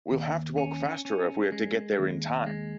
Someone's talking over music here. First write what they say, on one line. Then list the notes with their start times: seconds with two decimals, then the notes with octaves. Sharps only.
We'll have to walk faster if we are to get there in time.
0.11 D#2
0.58 C#4
1.05 C#4
1.52 G#3
1.99 D#2
2.46 G#3